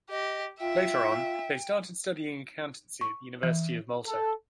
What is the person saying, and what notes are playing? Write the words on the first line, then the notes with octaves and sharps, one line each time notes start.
Later on, they started studying Accountancy in the University of Malta.
G4 D#5
F4 E5 G5
C#6
E3
A4